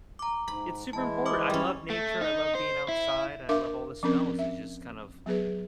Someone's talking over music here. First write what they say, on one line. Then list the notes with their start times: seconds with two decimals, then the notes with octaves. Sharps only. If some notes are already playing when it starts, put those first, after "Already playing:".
it's super important. I love nature. I love being outside, and I love all the smells. It's just kind of,
0.19 A#5 D6
0.48 G#2 B5
0.93 E3 G#3 E4 A5
1.26 C5 D6 D#6
1.50 G3 C#4
1.90 A3
2.21 D#4
2.55 C5
2.88 E4
3.49 D4 A#4 E5 F5 D6
4.03 F3 C4 C#4 A#4
4.39 E5
5.26 F#3 B3 G#4 B4